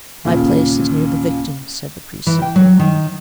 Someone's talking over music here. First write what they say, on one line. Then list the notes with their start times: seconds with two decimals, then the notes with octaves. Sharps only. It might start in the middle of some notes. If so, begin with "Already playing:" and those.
"My place is near the victims," said the priest, simply.
0.25 D#2 A#2 C#3
2.27 E3
2.42 G5
2.56 F#3
2.80 D#3